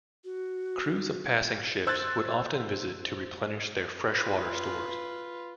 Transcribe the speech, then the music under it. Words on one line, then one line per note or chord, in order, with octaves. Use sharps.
Crews of passing ships would often visit to replenish their fresh water stores.
F#4
C5 E6 F#6 G#6 A6
F4 B4